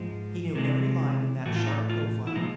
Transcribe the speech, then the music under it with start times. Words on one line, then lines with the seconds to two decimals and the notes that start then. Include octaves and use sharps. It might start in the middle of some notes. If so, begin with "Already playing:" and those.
He knew every line in that sharp profile.
Already playing: G#2 F3 G#3
0.55 C3 E3 G#3
1.45 A2 E3 A3 F#4
1.56 F4
1.67 D#4
1.90 F4
2.27 E4
2.35 A#2 F3 G#3 D#4